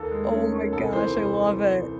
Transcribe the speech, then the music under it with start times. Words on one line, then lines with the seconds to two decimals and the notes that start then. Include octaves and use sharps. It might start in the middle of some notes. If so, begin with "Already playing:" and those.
Oh my gosh, I love it.
Already playing: D#2 A4
0.11 G#3
0.31 C#4
0.52 D#3
0.72 C2 A4
0.92 E3 C5
1.12 C2